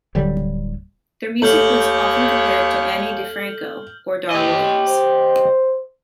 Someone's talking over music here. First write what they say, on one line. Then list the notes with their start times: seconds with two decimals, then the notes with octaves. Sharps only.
Their music was often compared to Ani DiFranco or Dar Williams.
0.15 D1 D3 F#3 G3
1.42 D#2 A3 C#5 F6 G6 F#7
4.31 G4 D#5
4.86 C5